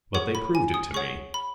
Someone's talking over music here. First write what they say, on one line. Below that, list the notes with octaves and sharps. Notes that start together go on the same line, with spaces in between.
But they proved it to me.
G#4 C#5 F#5 C#6
B5
G#5
D#6
G#4 C#5 F#5 C#6
B5